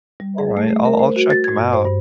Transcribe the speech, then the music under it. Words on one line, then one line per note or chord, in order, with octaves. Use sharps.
Alright, I'll I'll check them out.
G3
G#4
A3
A3
A#4
C5
F#4
A6
G#6
G2
C5
G2